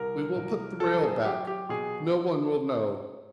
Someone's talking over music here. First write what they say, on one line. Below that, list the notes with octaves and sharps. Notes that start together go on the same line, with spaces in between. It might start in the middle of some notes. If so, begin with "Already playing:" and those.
We will put the rail back; no one will know.
Already playing: C2 A#4
C2
F#3 A4
G#4
F#3 G4
G4
B2 G#4